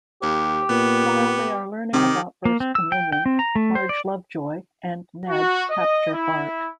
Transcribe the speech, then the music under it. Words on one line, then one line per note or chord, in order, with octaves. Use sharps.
While they are learning about First Communion, Marge, Lovejoy, and Ned capture Bart.
D#2 G4
A#2 B3
C3 D#3 G4
A#3
C4
E6
G5
G5
C4
A#5
A3
C5
D5
F#4
D#5
E4